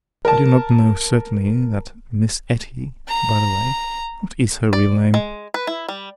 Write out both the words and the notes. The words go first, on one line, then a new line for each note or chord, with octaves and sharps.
I do not know certainly that Miss Etty--By the way, what is her real name?
A#4 A5
A#5
D5
G#3
B4
E4
G3